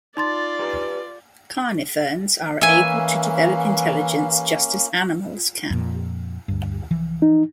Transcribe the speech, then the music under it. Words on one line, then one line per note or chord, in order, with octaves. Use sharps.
Carniferns are able to develop intelligence just as animals can.
D#4 F4 D5 C6 A6
G4 B4 A#5
E3 A#3 C#4 E5 F5 G#5
F2 A#2
D2 G2
C2 E3 F3
D#4